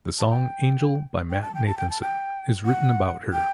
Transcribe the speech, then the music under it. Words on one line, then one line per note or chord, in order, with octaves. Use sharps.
The song "Angel" by Matt Nathanson is written about her.
A5
G5
G5
A5
G5
A5
G5
A5
G5
F#5
G5